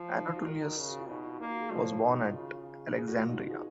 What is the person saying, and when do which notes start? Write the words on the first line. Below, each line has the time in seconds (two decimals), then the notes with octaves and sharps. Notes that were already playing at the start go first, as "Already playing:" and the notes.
Anatolius was born at Alexandria.
Already playing: F3
0.15 D#4
0.26 F4
0.36 F#4
0.46 D#3 A#4
0.62 A#4
0.78 C#3
0.89 F#4
0.99 F4
1.09 B2 D#4
1.25 F4
1.41 A#3 F4
1.51 F#4
1.61 G#4
1.72 F3 D#5
1.83 C#5
2.03 D#3
2.14 F#4
2.24 F4
2.35 C#3
2.97 G#4
3.08 F#4
3.18 F4
3.29 B2 D#4
3.39 F4
3.50 G#4